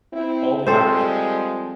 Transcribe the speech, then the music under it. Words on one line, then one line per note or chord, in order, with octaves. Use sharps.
All the Irishmen.
C4 E4
F3 G3 G#3 C4 A4 C5